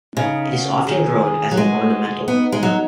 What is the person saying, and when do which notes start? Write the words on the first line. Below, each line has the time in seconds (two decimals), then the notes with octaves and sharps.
It is often grown as an ornamental.
0.16 C#3 D#4
0.52 F#4
0.87 D#3 G#4
1.51 F#3
1.57 G#3 F#4
2.28 B3 D#4
2.52 G#3
2.63 F#3